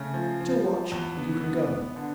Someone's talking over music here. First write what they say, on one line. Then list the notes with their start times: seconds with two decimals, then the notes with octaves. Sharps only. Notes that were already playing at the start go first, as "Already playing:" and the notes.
Til watch, and you can go.'
Already playing: C#3 A3
0.13 F3
0.40 F3
0.65 F3
0.92 E2
1.18 B3
1.44 B3
1.70 B3
1.96 D3